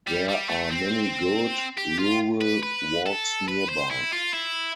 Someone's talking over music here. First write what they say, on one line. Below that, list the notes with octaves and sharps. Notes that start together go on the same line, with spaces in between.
There are many good, rural walks nearby.
G3
G3
A3
C4
G4
F4
B4
B4
A4
B4
C5
E4
F4
E4